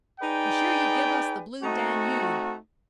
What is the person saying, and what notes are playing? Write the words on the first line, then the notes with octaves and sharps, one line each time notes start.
Be sure you give us the Blue Danube.'
D#4 G#4 B4 D5 G5
A3 C4 D#4 F#4